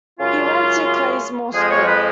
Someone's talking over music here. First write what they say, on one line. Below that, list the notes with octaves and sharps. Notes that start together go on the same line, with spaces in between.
He went to Clayesmore School.
F#2 C#3 G#3 C#4 F4
F2 F3 G#3 G#4
C#5
B4